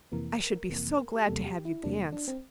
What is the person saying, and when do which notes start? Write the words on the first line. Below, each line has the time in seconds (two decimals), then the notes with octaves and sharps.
I should be so glad to have you dance.
0.12 F2 C3 E3 A#3 A#4
0.70 F2 C3 E3 A#3
1.15 G4
1.26 E2 C3 G3 A#3 A4
1.45 G4
1.65 E4
1.83 E2 C3 G3 A#3 D4
2.12 D4
2.28 C4